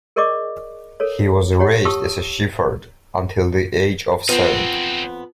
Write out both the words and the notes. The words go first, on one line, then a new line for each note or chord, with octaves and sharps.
He was raised as a shepherd until the age of seven.
G#4 A#4 D5 D#5 C#6 D6
A4 A#4 C#5
G4 C#5 F#5
G4 A5 C#6 D#6 E6
F2 B3 C4 D#4